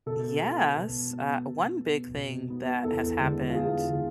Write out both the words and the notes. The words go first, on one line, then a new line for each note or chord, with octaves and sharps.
yes, uh, one big thing that has happened,
B2 A4
B3
B2
B3
B2
B3
B2
B3
E2 A4
D3 G#3 B3
F4
E2 G#4
D3 G#3 B3